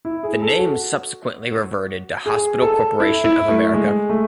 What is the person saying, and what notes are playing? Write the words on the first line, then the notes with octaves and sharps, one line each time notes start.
The name subsequently reverted to Hospital Corporation of America.
E4
G#4
A4
F#4
G#4
A4
E4
E4
A3
G#3
A3